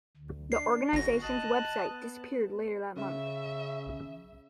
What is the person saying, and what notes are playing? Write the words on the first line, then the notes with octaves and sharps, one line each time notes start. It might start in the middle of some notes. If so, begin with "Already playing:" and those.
The organization's web site disappeared later that month.
D2
D4 C7
G1 F#4 A#6
D#5 A5 F#6
B3
C#3 E5